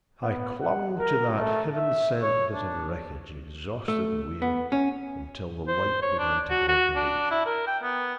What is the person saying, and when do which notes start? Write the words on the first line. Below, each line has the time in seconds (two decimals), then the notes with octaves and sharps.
I clung to that heaven-sent bit of wreckage, exhausted and weary, until the light began to break in the east.
0.22 B3
0.61 F#5
0.99 A#4
1.38 A3
1.74 E5
2.22 C#5
2.53 D4
3.88 A3
4.42 B3
4.72 C#4
5.68 C5
6.02 C#5
6.19 D4
6.50 F#4
6.69 F#4
6.96 D4
7.31 E4
7.46 A#4
7.67 G5
7.83 B3